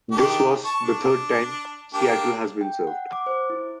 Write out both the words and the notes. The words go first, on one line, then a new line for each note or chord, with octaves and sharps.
This was the third time Seattle has been served.
D#3 D4 G4
A5 C#6
D4
A#3 D4 G4
G5
F#5
D6
C5
E4